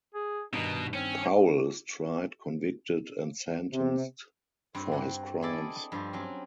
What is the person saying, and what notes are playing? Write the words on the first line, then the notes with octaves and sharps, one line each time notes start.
Powell is tried, convicted, and sentenced for his crimes.
G#4
G2 B2 D#3 D#4
C4 C#4
C3
G2 C4
G2 F#5
E4 G#4 A4 D5 D#5
G2 F3 C4
F#3 C4 C#4